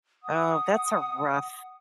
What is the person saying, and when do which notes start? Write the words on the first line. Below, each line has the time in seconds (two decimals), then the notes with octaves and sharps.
Oh, that's a rough
0.24 F#5 D#6